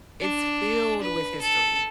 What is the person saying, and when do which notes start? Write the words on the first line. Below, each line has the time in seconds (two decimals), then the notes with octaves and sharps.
it's filled with history.
0.20 D4
1.01 B4
1.41 A4